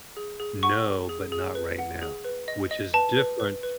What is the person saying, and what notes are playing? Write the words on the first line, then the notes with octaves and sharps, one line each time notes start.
No, but not right now, which is different.
G#4
G#4
F#5 C#6
G#4
G#4
G#4
B4
F#5
G#4
B4
D#5
D#5
B4 A5
B4
B4
B4